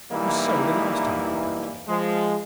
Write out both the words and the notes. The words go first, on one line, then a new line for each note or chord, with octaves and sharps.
It was so the last time we went out together.
B1 E3 G3 A#3 D#4 E4
F3 G#3